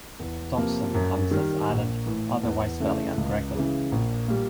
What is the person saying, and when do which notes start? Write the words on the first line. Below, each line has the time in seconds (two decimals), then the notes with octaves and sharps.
Dots and hamzas added; otherwise, spelling uncorrected.
0.20 E2
0.57 C3 F3 A#3
0.94 F#2
1.31 D#3 G3
1.69 A#1
2.06 A2 E3
2.43 E2
2.80 C#3 E3 A3
3.17 C#2
3.54 C#3 E3 G#3
3.92 A#1
4.28 A#2 G3 A#3